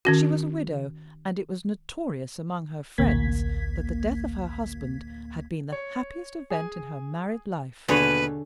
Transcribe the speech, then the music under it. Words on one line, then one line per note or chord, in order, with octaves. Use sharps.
She was a widow; and it was notorious among her friends that the death of her husband had been the happiest event in her married life.
D#3 C#4 F#4
A1 D2 A#3 G#6 B6
C#5
G#4 G#5
D#2 B2 D3 G#4 B4 C#5